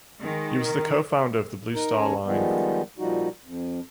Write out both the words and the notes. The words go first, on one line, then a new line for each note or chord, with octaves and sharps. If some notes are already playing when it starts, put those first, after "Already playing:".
He was the co-founder of the Blue Star Line.
D#3 G#3
A#4
D#4 A#4
D#2 C#4 A4 G#5 A#5
D#3 F3 G3 G#3 B3
A#2 F3 G3 D#4 F#4
F2